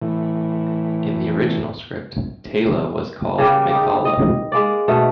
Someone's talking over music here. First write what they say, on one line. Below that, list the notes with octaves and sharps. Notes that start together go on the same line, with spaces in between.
In the original script, Teyla was called Mikala.
A2 E3
C#3 G3 A#3
G3 D#4
D#5
G#3 A#3 D5
B2 A3 D#4